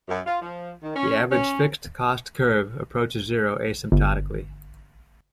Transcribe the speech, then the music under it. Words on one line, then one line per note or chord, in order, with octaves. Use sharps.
The Average Fixed Cost curve approaches zero asymptotically.
F#2
F4
F3
D#3
C#4
C#4
G1